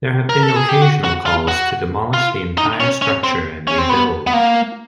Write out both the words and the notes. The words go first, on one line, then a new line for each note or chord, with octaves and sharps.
There have been occasional calls to demolish the entire structure and rebuild.
A#4
A4
G#4
G4
F#4
F#4
F4
F#4
F4
D#4
C#4
C#4
C4
C#4
C4
B3
B3
A#3